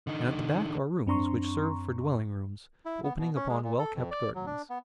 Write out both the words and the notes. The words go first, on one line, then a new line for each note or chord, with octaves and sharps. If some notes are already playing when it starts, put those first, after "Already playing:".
And at the back are rooms, which serve for dwelling rooms, opening upon well-kept gardens.
D3 D#4
F#2 C4 D4 A#5 C6 C#6
E4
B3
B2
C#4
G#3
A#2
A4
F2
D5
F#3
D4
B3